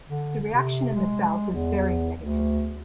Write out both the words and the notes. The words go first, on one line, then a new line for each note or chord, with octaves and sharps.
The reaction in the South was very negative.
D3
C3
G#3
E2
D2